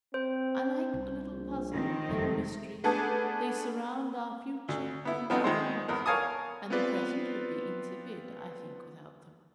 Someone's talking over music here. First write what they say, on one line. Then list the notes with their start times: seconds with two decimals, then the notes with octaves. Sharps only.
'I like a little puzzle and mystery--they surround our future and our past; and the present would be insipid, I think, without them.
0.14 C4 C5
0.94 C2
1.30 A#1
1.71 D#3 C4
2.09 F#1 F2 C3 A3
2.84 A3 B3 D4 G#4 A4
4.69 D2
5.05 B3 E4
5.30 F3 B3 C4 D#4
5.44 D#3 G#3 C5
5.88 E2 A#4
6.06 A#4 C#5 F5 G#5 A5 D#6
6.70 B3 C4 F4 B4 D5